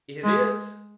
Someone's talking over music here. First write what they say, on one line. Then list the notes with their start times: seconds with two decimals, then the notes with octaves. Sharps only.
"It is."
0.23 G#3